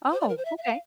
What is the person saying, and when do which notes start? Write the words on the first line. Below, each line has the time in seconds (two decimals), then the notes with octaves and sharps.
Oh, okay.
0.12 C5
0.21 D5
0.29 A#4
0.38 C5
0.45 E5
0.58 E5
0.63 F5